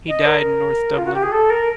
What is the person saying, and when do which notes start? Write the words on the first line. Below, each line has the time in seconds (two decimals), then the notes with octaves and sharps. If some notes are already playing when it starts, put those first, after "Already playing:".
He died in north Dublin.
0.08 D#5
0.25 A#4
0.97 F4
1.05 F#4
1.14 G4
1.23 G#4
1.32 A4
1.50 A#4